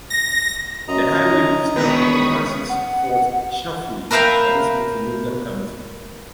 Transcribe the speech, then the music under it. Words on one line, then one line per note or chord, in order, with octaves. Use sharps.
The highway leaves town and passes Fort Chaffee on its way to Logan County.
A#6
F#2 D#5 A#5
E1 D#2 D#3 B4 B5 C#6 D#6
F#5
A#4 B4 E5 F5 G5 A#5